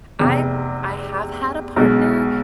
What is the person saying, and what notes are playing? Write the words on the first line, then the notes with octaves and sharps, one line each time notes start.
I I have had a partner,
F1 E2 C3
B1 B2 G#3